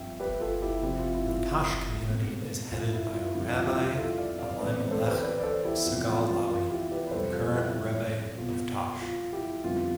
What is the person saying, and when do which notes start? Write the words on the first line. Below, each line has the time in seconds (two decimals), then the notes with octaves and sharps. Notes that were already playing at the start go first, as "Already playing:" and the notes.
The Tosh community is headed by Rabbi Elimelech Segal-Lowy, the current Rebbe of Tosh.
Already playing: G2 F3 C4 E5 G5
0.20 G4 B4
0.40 F4 A4
0.62 E4 G4
0.82 C3 F3 C4 E4 G4
0.99 F4
1.14 E4
1.30 F4
2.09 B2 A3 C4
2.71 F4
2.93 E4
3.14 F4
3.34 F2 D3 G3 E4
3.50 F4
3.66 E4 G4
3.81 E4 G4
3.97 F4 A4
4.18 D5 F5
4.39 D5 F5
4.60 E2 D3 A3 C4 B4 D5
4.91 A4 C5
5.08 G4 B4
5.23 B4 D5
5.40 D5
5.44 A4 C5
5.65 E4 G4
5.86 E2 C3 F3 B3 F4
6.07 F4
6.28 F4
6.48 F4
6.69 E4 G4
6.92 G4 B4
7.07 B4
7.11 F2 C3 G3 A4 C5
7.32 F4 A4
7.53 E4 G4
8.37 B2 B3 F4
9.01 F4
9.33 E4 G4
9.64 F2 D3 G3 B3 F4